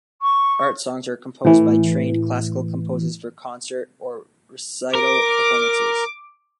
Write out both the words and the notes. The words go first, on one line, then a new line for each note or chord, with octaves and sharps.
Art songs are composed by trained classical composers for concert or recital performances.
C#6
A2 E3
A#4 D6